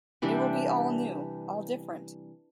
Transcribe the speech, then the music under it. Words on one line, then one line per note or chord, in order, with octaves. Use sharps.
It will be all new, all different.
C3 E3 G3 D4